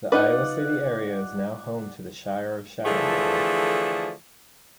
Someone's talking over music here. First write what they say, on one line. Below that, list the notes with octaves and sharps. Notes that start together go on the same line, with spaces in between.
The Iowa City area is now home to the Shire of Shadowdale.
D#4 F4 B4 D5 F#5
D3 E3 F3 A3 G#4